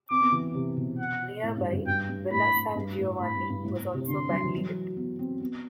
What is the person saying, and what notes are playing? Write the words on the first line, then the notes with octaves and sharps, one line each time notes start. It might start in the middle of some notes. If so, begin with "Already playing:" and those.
Nearby Villa San Giovanni was also badly hit.
C4 D6
B3
E3
C3
B2
F#5
A2
G2
F#2
G2 G5
G2
A2 B5
A2
G2
A2
A2 B5
G2
G2
A2
A2
C3
D3 C6
F#3
E3
F#3
B3
C4
B3